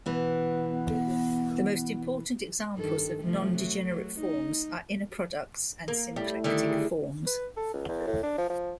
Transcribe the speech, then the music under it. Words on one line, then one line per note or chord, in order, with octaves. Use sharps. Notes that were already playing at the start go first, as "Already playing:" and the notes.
The most important examples of nondegenerate forms are inner products and symplectic forms.
B2 E3 B3
G2 D#3 A4
C3 F3 A3
F#3
D#4
A#3
A2 G3
D3 D#3 G3
G#4 A#4
B4
A4
C#2
E2
A2
D4
F3
F3